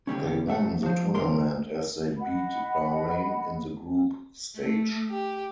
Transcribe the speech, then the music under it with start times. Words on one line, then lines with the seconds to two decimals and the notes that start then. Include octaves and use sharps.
They won the tournament as they beat Bahrain in the group stage.
0.07 C2 D3 G3 C#4
0.47 C2 A3 E5 F#5
0.83 F3 C5
1.15 C#2 D#3 A#4 C6
2.19 D#5 F#5 B5
4.55 A3
5.08 G4